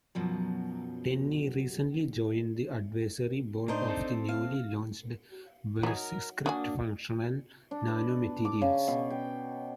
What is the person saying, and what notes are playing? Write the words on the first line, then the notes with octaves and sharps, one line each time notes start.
Tenne recently joined the Advisory Board of the newly launched "Veruscript Functional Nanomaterials".
F#2 B2 F3 F#3
A2 D4 D#4 C5
C4 A4
F5
E3 F#3 D#4 G#4
A#4
F#3 A#3 D4 F#4 G#5 D#6
D4
B4
D6
C#3
B2
G5